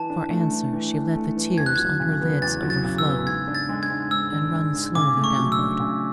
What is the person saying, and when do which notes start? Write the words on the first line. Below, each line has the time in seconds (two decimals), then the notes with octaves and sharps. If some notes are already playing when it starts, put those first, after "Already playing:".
For answer, she let the tears on her lids overflow and run slowly downward.
Already playing: E3 A5
0.10 D4
0.30 A3
0.52 E3
0.73 E3
0.94 D4
1.15 A3
1.37 E3
1.57 E2 G#6
1.66 F#6
1.76 F#3 G#6
2.00 C#3
2.21 B3
2.42 E2 A6
2.63 F#3
2.70 A6
2.84 C#3
2.98 E6
3.05 B3
3.26 G#2 G#6
3.48 D4
3.55 A6
3.69 G#3
3.83 G#6
3.90 G#2
4.11 G#2 E6
4.32 D4
4.53 G#3
4.74 G#2
4.95 C#3 D6
5.17 A3
5.24 C#6
5.38 F#3
5.52 E6
5.59 D4
5.80 C#3